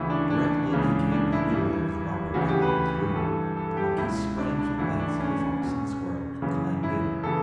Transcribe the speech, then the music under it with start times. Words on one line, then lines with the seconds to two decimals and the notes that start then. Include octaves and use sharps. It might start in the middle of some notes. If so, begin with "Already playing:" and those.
Directly they came to the window of the robber captain's room, the monkey sprang from the backs of the fox and the squirrel, and climbed in.
Already playing: D2 C#3 E3 E4
0.10 D4
0.30 D4
0.71 C#2 C#3 E3
1.12 D4
1.32 E4
1.53 G2 E3
2.34 D2 C#3 E3 F#4
2.48 G4
2.62 B4
3.16 G2 E3 A4
3.57 A4
3.77 G4
3.97 C#2 B2 E4
4.38 D4
4.59 D4
4.79 D2 C#3 E3 E4
4.99 D4
5.20 C#4
5.61 E2 B2
6.42 F#2 C#3 E3
6.83 E4
7.24 C#3 E3 A4